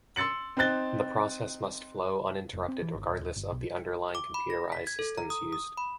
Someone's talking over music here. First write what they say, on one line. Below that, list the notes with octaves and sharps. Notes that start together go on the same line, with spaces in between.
The process must flow uninterrupted regardless of the underlying computerized systems used.
C6 E6 A6 C#7 F#7
C4 D#4 C5 F#6 A6 G7
F1
C4
E3
G1
D1
D#1
G1
B1
D6
B5
A#6
B6
G#6
A4
A#5
D#6
D#6
B5